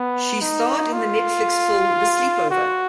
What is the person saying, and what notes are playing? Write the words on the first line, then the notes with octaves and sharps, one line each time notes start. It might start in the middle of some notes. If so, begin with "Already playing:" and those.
She starred in the Netflix film "The Sleepover".
Already playing: B3
D#4
F4
F#4